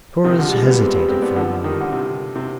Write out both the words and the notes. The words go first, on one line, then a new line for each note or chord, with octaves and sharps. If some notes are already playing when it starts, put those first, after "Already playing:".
Torres hesitated for a moment.
C3 D#3
D3 F3
G3
F3 G#3
G3 B3
G#3 C4
G3 B3
G#3 C4
B3 D4
D3 F3
D#3 G3
D3
C3
C3